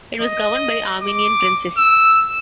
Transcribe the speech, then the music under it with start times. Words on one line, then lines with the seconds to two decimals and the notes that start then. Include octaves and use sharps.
It was governed by Armenian princes.
0.21 D#5
1.03 D6
1.78 E6